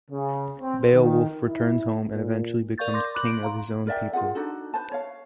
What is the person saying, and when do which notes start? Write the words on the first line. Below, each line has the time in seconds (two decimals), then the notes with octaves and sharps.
Beowulf returns home and eventually becomes king of his own people.
0.10 C#3
0.59 C4
0.92 D#3
1.47 E4
2.12 A#2
2.78 A#4 D5 F5 C#6 G6 A6
2.94 C6 D6 G6 A#6
3.15 B5 D6 F#6 F#7
3.26 D7
3.43 F5 A#5 C6
3.87 A#4 D5 E5 G5
4.13 F4 F#4 G#4 F#5
4.35 D4 D#4 F#4 A4
4.74 B4 C5 A5
4.92 C#5 F5